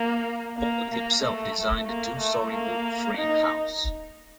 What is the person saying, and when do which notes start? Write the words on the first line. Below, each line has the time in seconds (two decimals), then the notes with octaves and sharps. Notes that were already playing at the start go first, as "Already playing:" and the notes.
Baldwin himself designed the two storey wood frame house.
Already playing: A#3
0.58 A#3
0.90 A#3
1.23 A3
1.87 A#3
2.20 A3
2.52 A#3
3.17 D#4